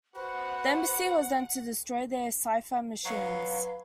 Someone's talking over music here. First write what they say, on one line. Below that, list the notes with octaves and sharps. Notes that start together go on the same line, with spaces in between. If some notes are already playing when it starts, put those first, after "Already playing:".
The embassy was then to destroy their cipher machines.
F#4 B4 C5 F#5
F#3 B4 F5